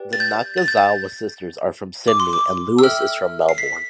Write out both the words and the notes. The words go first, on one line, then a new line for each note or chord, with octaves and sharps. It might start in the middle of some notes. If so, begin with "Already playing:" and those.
The Nakazawa sisters are from Sydney and Lewis is from Melbourne.
Already playing: G4 B4 D5 G5
A6
G6
A6
G6
A6
D6
C6
D6
E6
A4 E5 G5 F6
C7
B6